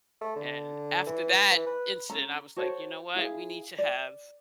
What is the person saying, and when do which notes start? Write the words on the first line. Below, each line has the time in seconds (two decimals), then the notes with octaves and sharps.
and after that incident I was like, "You know what, we need to have
0.21 A3
0.36 D3
1.06 E3
1.51 E3
1.66 B4
2.10 C#4 A4 A#5
2.56 F#4 A4 C5 C#5
3.15 E4 G#4 F5
3.78 D5